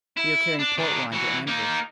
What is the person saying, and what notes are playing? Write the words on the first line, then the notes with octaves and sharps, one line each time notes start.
"We are carrying port wine to Anvers."
E4
D4
D#3 D4
E3 F#4
A#3 D#4